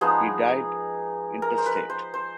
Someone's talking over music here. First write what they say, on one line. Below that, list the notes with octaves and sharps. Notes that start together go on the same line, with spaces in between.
He died intestate.
F3 G#3 B3 D#4 G#4
A#4
C5
B4
C5
C5